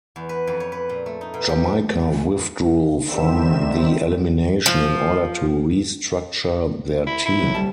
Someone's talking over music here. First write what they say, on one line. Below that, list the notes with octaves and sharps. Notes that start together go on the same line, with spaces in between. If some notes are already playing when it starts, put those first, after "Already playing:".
Jamaica withdrew from the elimination in order to restructure their team.
E2
B4
F2
C#5
B4
A#2
A3
D#4
B2
G4
D4
D3 D#3 G3 C4 E5 E7
F3
E4
E4
F#3
D2 G3 A5